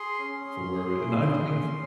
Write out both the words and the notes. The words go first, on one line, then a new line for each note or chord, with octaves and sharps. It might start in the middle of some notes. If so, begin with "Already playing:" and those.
for and I think
Already playing: G#4 C6
C#4
C#4
G#4
E4
G#4
C#4